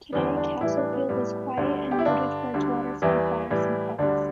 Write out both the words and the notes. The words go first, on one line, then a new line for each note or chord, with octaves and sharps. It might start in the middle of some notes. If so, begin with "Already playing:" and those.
Today, Castlefield is quiet and noted for its waterside bars and pubs.
E2 D3 G3 B3
D4
A2 E3 G3 E4
D4
B3
A2 G3
D2 D3 G3
G4
E4
G2 D3 G3 D4
D2 D3 G3
E2 E3 G3 E4
A2 E3 G3
D2 D3 G3 D4